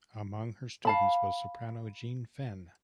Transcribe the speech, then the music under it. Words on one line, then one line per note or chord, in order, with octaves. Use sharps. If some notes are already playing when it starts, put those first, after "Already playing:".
Among her students was soprano Jean Fenn.
F5 A5 B5